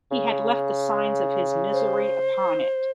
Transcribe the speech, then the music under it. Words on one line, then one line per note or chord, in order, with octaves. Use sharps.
He had left the signs of his misery upon it.
C#3
C5